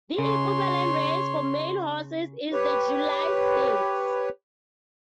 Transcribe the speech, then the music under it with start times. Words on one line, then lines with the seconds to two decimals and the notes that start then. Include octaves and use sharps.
The equivalent race for male horses is the July Stakes.
0.18 C#3 C#5 C6
2.53 G4 B4 C#5